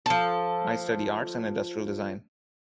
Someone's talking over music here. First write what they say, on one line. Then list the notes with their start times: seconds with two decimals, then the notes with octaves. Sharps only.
I study arts and industrial design.
0.06 F3 A4